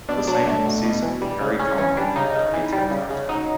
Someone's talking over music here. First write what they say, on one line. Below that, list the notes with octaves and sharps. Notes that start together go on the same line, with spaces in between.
The same season, Perry Como hit the retail top ten.
B2 D4
F#3 D4
A3
B2
B2
E3
G3
C#3
C#3 C#4
E3 C#4
G3 D4
C#3 D#4
C#3
E3
G3
C#3
C#3
F#3 D#4